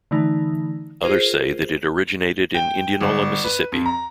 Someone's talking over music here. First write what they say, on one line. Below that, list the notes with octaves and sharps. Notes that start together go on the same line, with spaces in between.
Others say that it originated in Indianola, Mississippi.
D3 E3 A3 D#4
F4 G#4 A#4 C5
G5
G1
B4
F2
A#5